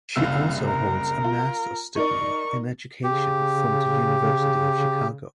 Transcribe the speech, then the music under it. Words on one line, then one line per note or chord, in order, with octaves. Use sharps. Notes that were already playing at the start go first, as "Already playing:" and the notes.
She also holds a master's degree in education from the University of Chicago.
F#1 C2 F5 E6
A#4
F4
D#4 A#4 D5 C#6
C#3 G4